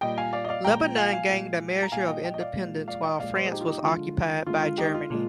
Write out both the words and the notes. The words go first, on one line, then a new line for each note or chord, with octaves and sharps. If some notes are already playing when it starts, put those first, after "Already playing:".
Lebanon gained a measure of independence while France was occupied by Germany.
A#2 G3 D#5 G5
F5 G#5
D5 F5
D#5
D5 F5
A#2 F3 G#3 G5 A#5
F5 G#5
F5 G#5
A#2 F3 G#3
A#5
A#2 G3 F5 G#5
D#5 G5
D#5 G5
D#5
D5 F5
A#2 F3 G#3
D5 F5
D#5 G5
A#2 F3 G#3 D5 F5
C5 D#5
G#4
D#4 G4
F4
D#4 G4
D3 F3 G#3 F4
D3 G#3 F4
F4
D#4 G4
F4
A#2 F3 G#3